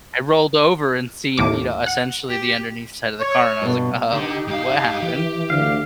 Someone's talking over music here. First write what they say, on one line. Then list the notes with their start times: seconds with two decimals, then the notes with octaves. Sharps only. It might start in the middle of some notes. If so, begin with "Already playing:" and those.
I rolled over and seen, you know, essentially the underneath side of the car, and I was, like, "Oh, what happened?"
1.38 D#2 A2 D6
1.86 F#5
2.30 G4
3.21 C#5
3.62 G2 B2
4.13 D3 D#4 G4
4.48 G2 F5
5.02 E3 G4
5.50 D2 F5